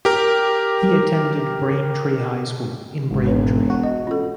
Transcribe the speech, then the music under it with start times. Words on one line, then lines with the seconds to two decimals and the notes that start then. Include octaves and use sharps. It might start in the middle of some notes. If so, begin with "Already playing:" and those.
He attended Braintree High School in Braintree.
0.05 G4 A#4
3.11 G#1
3.24 E1 B4 C#5
3.70 F#4
3.83 D#5
4.07 A1 F4 A4